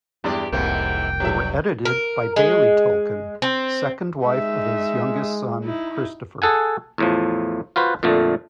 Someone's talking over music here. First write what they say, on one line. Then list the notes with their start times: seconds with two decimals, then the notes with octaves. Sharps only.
They were edited by Baillie Tolkien, second wife of his youngest son, Christopher.
0.24 E2 G2 E4 G4 D5
0.53 F1 C2 G#2 C3 E3 A#3 G5
1.20 G2 F#3 G4 E5
1.85 A#4
2.36 G#3
3.42 C4
4.26 G#3 D#4 E5
5.64 D#4 E4
6.42 G#4 A4 F#5 G#5
6.98 E2 A2 F3
7.76 F4 F#4 B4 C5
8.03 F2 A#2 D3 A3